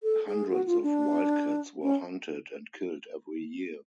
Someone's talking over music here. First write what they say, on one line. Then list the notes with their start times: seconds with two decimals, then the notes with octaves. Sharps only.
Hundreds of wildcats were hunted and killed every year.
0.03 A4
0.27 G#4
0.50 F#4
0.66 F4
0.83 D4
1.82 C#4